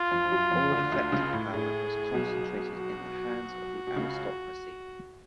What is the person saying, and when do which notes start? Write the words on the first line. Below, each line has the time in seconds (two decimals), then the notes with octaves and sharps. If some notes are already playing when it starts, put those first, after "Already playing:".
All effective power was concentrated in the hands of the aristocracy.
Already playing: F4
0.11 F2 F3
0.26 F3
0.31 F#2 F#3
0.51 F2 F3
0.72 D2 D3
0.92 D2 D3
1.12 C#2 C#3
1.33 A2
1.53 A2 G#4
2.14 B1 B2
2.74 F#4
3.87 B2
3.96 C#2 C#3